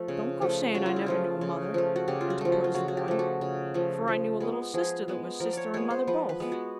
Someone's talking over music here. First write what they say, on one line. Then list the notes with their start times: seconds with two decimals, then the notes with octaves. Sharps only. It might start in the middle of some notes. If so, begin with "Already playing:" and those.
'Don't go saying I never knew a mother,' interposed the boy, 'for I knew a little sister that was sister and mother both.'
Already playing: F3 A3
0.08 C#3
0.41 F3 A3
0.75 C#3 F#4
0.86 F4
0.96 E4
1.06 F3 A3 F4
1.41 C#3
1.74 F3 A3
1.96 F#4
2.08 C#3 G4
2.21 F4
2.30 F#4
2.41 F3 A3
2.52 F#4
2.64 F4
2.75 C#3 F#4
2.88 F#4
2.97 G4
3.08 F3 A3
3.19 F#4
3.41 C#3
3.74 F3 A3
4.08 F3
4.40 G#3 B3
4.74 F3 G#4
5.08 G#3 B3
5.40 F3 A#4
5.53 C#5 D5
5.74 G#3 B3 C#5
5.91 C5
6.07 F3 B4
6.29 B4
6.40 G#3 B3
6.52 F#4